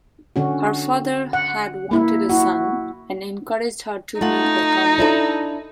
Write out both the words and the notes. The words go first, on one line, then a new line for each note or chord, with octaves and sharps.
Her father had wanted a son, and encouraged her to be a tomboy.
D3 C#4 F#4
F#5
A#3 E4
E4 F#4
A3 D#4 F4 F#5
D4 E4 A4